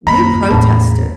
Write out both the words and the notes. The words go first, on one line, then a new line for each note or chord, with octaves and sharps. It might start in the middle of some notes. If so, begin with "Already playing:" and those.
we protested,
F#2 D#3 A#3 A#5 B5
E2 A2 C#4 A5